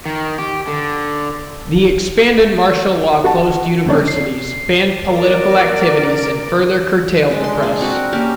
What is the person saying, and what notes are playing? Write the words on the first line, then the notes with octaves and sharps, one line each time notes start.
The expanded martial law closed universities, banned political activities and further curtailed the press.
D#3
G4
D3
F#4 F#5 A5
D#2 C#3 C#4 D4
C7
A#4 D5
G#3 D4
C6
G#4 D5
C4 F#4 B4 A5
A#4
A#3 C4 C#4 G4